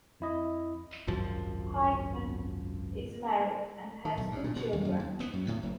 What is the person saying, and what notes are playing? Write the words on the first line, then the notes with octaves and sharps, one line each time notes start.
Heitmann is married and has two children.
F2 E4 D#5
G#1 C#2 F#2 F3
D#3
B1
G2
A#2
B2
D#2
F#2
D#2
B3
F#2
A2
F#1